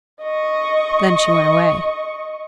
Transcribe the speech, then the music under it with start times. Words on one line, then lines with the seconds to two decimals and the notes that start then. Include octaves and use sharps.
Then she went away.
0.23 D#5 C#6